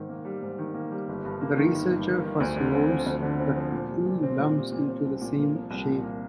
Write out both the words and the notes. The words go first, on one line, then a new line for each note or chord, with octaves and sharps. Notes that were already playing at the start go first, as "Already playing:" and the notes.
The researcher first rolls the two lumps into the same shape.
Already playing: G#2 D#3
A#3
G3
G#2
D#3
A#3
G3
G1
G2
A#3
D#3
G1
G2
A#3
D#3
D2
D3
C4
F3
D2
D3
C4
F3
A#2
G3
A#2
C4
A#2
G3
A#2
C4
C2
A#2
A#3
F3
C2
A#2
A#3